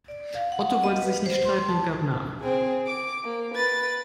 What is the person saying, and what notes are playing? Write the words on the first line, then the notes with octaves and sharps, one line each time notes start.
Otto wollte sich nicht streiten und gab nach.
D5
F5
F#5
D#5
B4
C5
C6
A5
C4 G#4
D6
A#3
B4 A6